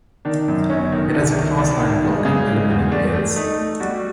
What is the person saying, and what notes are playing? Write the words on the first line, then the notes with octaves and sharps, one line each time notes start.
It has a cast iron block and aluminum heads.
D#3 D4
F#2
G1 C#4
D#3
C2 D4
D#3
C2 D4
D#3
G#3
C#3
G#3
E2
A3 D4
A3
A3 D#4
A3
G3 F#4